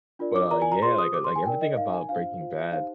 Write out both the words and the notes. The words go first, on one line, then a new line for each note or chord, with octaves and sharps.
But, uh, yeah, like like, everything about Breaking Bad
D4 F4 A#4 D5
D6
F4 A#4 D5 A#5
G#5
A#5
F4 G#4 C5 C6
D#6
G4 C5 D6
C6
G#5
D#4 A#4 D5 G5
D#5
D#4 A#4 D5 F5
G#5
D4 F4 C5 F5
F4 C5
D#4 G4 C5 F5